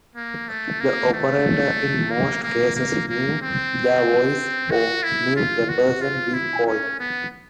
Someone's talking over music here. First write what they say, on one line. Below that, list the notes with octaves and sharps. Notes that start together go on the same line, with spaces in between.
The operator in most cases knew their voice or knew the person being called.
A#3
A3
A#3
A3
A#3
A#3
A#3
A#3
C4
F#4
E4
F4
F#4
F4
E4
C#4
B3